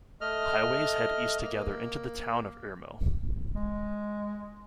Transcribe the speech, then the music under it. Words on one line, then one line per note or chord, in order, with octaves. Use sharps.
Highways head east together into the town of Irmo.
A3 D#5 F6
A#3
G#3